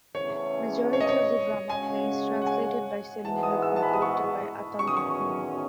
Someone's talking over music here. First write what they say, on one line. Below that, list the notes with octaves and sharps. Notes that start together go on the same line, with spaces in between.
Majority of the drama plays translated by Selim have been directed by Ataur Rahman.
E2 C#3 E3 A3 C#4 C#5
C#5
D#5
C#5
C#3 G#3 C#4 F#4 C#5 G#5
F#5
G#5
G#2 E3 G#3 B3 F#4 A5
D#6
E6
A5
B5
D#6
C#6
E2 D#3 F#3 C#4 C#6
D#6
C#6